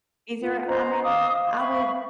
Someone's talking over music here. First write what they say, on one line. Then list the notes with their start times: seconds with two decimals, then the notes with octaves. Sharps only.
Either I mean, I I would
0.41 F4
0.68 C#4 C5 D#5 A#5
1.03 D#5 F5 D6 D#6
1.58 E5 F5 B5 C#6